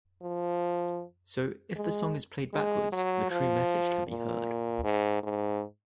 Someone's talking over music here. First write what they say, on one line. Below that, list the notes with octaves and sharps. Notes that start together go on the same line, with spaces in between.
So, if the song is played backwards, the true message can be heard.
F3
G#3
G#3
F#3
F3
A#2
G#2
G#2